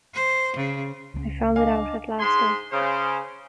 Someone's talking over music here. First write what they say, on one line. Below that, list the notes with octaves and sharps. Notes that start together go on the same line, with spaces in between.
I found it out at last though.
C5
C#3
C#2 A3 C#4
D4 D#5 F5 G#5 D6
G#2 G#4 G#5 C6
C#3 C5